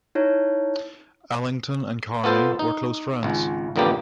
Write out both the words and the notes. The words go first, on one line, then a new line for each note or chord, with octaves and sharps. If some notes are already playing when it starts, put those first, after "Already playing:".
Ellington and Carney were close friends.
D#4 E4 C#5
B3 F4 A4 C5
D#4
G#1 C#2
A1 F2 D3 A#3 B3 G4